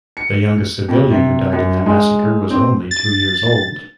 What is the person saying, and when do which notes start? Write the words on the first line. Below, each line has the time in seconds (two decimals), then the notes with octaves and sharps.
The youngest civilian who died in that massacre was only two years old.
0.17 C#7
0.88 F2
1.11 C3
1.53 F#2
1.86 G#3
2.50 C4
2.91 A6